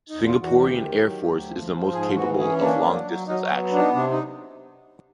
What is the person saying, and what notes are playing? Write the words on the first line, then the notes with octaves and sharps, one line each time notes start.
Singaporean air force is the most capable of long distance action.
D#4
E2
F4
E2
F#4
D2 G4
D#3
F#3
D2
F3
F3
G#2 G#4
E3 F#4
C#4 G#4
A#3 D4
F#3
F#3
F#3 D#4
F#4
B3
D4
D#4
C3 D4
D#4